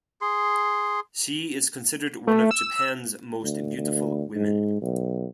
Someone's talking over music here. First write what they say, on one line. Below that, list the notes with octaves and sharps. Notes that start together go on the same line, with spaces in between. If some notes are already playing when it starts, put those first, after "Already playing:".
She is considered one of Japan's most beautiful women.
G#4 C6
A3
E6
D2
D2
G#2
B1